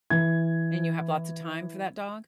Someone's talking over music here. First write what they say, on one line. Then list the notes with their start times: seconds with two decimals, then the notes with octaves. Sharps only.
And you have lots of time for that dog?
0.10 E3 G#6